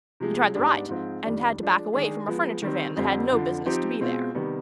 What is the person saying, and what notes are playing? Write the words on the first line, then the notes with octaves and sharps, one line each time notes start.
He tried the right, and had to back away from a furniture van that had no business to be there.
C3 F3 G#3
G#2 G3 B3 D4 G4
G#2 F3 G#3 C4 F4
F2 D#3 G3 D4
F3 G#3 D4
D#3 G#3 D4 G#4
F3 G#3 B3
D#3 G3 C4
F2 D3 G3 C4
F2 D3 F3
F3 C4 D#4 G4
B2 G#3 C4 F4
C3 D#3 G3 B3